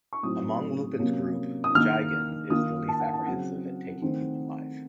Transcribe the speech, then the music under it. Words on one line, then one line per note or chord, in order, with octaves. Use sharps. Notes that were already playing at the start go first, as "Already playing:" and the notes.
Among Lupin's group, Jigen is the least apprehensive at taking human life.
C#6
A2 F#3 C4 D#4 D#6
C3 F#3 A#3 C#4
D#6
D#3 A#3 D#4 F6
D#3 A#3 F4 D#6
A5
F#5
A5
C#3 F#3 C4 F#5
D#3 A3 C4 D#4